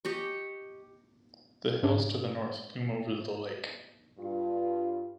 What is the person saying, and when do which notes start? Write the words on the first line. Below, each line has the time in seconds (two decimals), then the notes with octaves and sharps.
The hills to the north loom over the lake.
0.05 G4 D#5 C#6
1.83 G#2 C#4 D4
4.19 G2 F4